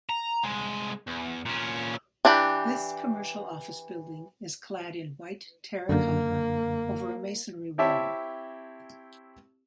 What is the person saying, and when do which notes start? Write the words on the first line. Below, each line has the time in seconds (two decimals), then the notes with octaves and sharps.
This commercial office building is clad in white terra cotta over a masonry wall.
0.09 A#5
0.44 C2 G#3
1.07 E2
1.45 A#2 C#4
2.25 E3 D4 G4 B5
5.89 F#2 D3 A#3
7.78 C4 E4 G4 C#5 E5 A5